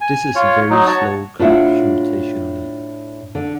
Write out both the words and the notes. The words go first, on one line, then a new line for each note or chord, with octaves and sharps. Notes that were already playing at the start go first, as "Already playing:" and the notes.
This is very slow computationally.
G#5
F4 C#5
F#3 D#4
F#4 C#5 A5 C#6
A2 D4 F4 E5 F#5
D3